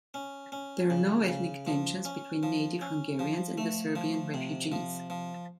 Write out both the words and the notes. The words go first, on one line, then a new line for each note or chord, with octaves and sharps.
There are no ethnic tensions between native Hungarians and the Serbian refugees.
C#4
C#4
C#3
C#3
F3
C#4
F3
C#4
F3
A3
F3
C3
F3
F3